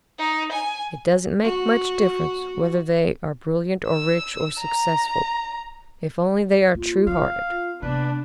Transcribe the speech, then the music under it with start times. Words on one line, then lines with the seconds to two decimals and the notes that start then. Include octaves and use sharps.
It doesn't make much difference whether they are brilliant or rich or successful, if only they are true-hearted.
0.18 D#4
0.52 G#5
1.43 F#4
3.88 E6
4.59 A#5
6.75 A#3 F4
7.07 C4 F5
7.50 F4
7.82 C3 A#3 B3 D4 B4